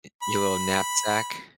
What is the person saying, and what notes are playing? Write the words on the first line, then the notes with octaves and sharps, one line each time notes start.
I your little knapsack.
B5